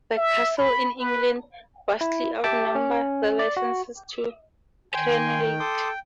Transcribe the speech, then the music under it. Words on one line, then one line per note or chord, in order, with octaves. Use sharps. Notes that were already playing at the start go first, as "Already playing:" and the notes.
The castles in England vastly outnumber the licences to crenellate.
E5
B5
B4
E4
G4 E5 G5 A5 D6
C#4
D5
F#4
D#3 G5 G#5 C6
A4 C6 D6 D#6